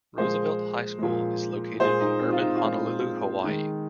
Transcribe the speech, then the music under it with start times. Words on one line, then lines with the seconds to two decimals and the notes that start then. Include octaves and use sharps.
Roosevelt High School is located in urban Honolulu, Hawaii.
0.18 A#2 F3 G#3 G#4 C5
0.99 A#2 F3 G#3
1.80 A#2 G#3 G#4 C5
2.01 D#4
2.21 C4
2.32 F4
2.41 D#4
2.56 F4
2.61 A#2 G#3 D#4 G#4
3.44 D#3 G#3